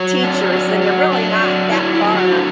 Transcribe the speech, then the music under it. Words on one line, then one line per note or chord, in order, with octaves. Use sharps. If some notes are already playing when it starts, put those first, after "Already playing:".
teachers, then they're really not that far
Already playing: F#3 C#5
D4
F#3
F#3
D4
F#3
F#3 E4
E4
F#3
F#4
D4